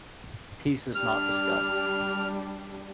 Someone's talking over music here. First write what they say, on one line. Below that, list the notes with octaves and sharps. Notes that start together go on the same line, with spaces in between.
Peace is not discussed.
G3 D4 F6